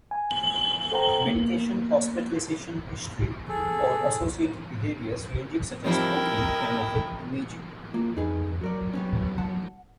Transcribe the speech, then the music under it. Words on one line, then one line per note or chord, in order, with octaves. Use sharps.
Medication, hospitalization history, or associated behaviors ranging such as smoking can affect imaging.
G#5
A4 C5 F#5 G5 A#5
A#3 B3
G#4 A4
F3 G3 C4 E4 A#4 D#5 G5
A#3 F4
F2 D#4 G#4 B4
F#3 F#4 A#4 D5
G3 B3 C#4
F#5 A5